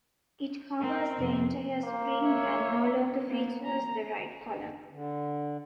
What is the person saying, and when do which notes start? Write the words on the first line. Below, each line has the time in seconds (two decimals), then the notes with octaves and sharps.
It covers the entire screen and no longer features the right column.
0.80 C4 A#4
1.17 F2 C3
1.84 A#3 C5
2.22 C#5 E5
3.27 A#3 B3
3.64 A#3 A#5
4.91 D3